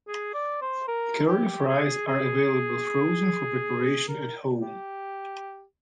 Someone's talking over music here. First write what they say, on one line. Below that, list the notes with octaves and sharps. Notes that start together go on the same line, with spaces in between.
Curly fries are available frozen for preparation at home.
G#4
D5
C5
A#4
G4
G#4
G#4
A#4
G4